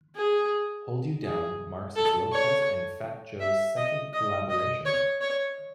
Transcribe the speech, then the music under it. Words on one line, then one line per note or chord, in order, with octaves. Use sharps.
"Hold You Down" marks as Lopez and Fat Joe's second collaboration.
G#4
G#4
A4
C#5
E5
D#5
D#5
D#5
C#5
C#5